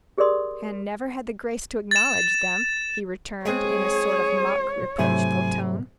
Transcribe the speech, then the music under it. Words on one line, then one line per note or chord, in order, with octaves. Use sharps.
"And never had the grace to acknowledge them," he returned, in a sort of mock reproachful tone.
G4 G#4 A#4 D5 C6 D#6
A6 E7
G#3 C4 G#4 C#5
G#2 C3 F#3 A3 E4 G#5